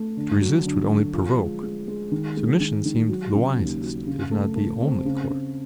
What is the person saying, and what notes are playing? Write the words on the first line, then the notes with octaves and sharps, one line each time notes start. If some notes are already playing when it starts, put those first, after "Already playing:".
To resist would only provoke; submission seemed the wisest, if not the only course.
Already playing: A3
D3
F#3
D3
D3
F3
G#3
G#3
G#3
D#3
G#3
D#3
D#3
F#3
C#3
D#2
F#3
C#3
A3
A3
C4
C#3
C#3